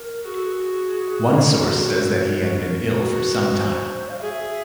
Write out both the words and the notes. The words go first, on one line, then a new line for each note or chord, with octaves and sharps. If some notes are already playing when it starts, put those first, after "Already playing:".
One source says that he had been ill for some time.
Already playing: A#4
F#4 G#4
A4
G#4
A#4
F#4 A4
A4
A#4
F#4 B4
C5
F5
G#4 E5